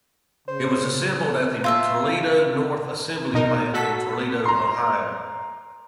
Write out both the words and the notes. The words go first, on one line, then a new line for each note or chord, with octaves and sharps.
It was assembled at the Toledo North Assembly Plant in Toledo, Ohio.
C#3 C5
F4 E5 A5
B2 D#4 A#4
F#4 A4 B6
A#5 C6